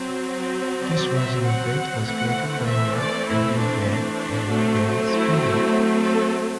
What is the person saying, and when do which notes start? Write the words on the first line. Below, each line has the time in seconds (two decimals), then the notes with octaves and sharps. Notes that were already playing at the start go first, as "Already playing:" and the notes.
This version of Death was created by Mike W. Barr and Dan Spiegle.
Already playing: F#3 C4
0.82 D5
1.13 E5
1.44 F#5
2.04 E3 A3 C4 F#5
2.66 E5
2.96 D5
3.26 E4
3.56 D4
3.87 D4
4.48 F#3 A3 C4
5.09 E4
5.40 E4
6.00 A4